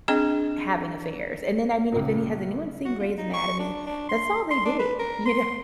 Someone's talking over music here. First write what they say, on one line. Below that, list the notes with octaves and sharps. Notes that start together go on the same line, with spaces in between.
having affairs, and then I mean if any Has anyone seen Grey's Anatomy? That's all they did, you know,
C4 D4 G#4 D#5 G5
C#2 A#2
F#4
F4
D#4
C#6
D4
D4
C6
C6
D4
B4
A#4
C6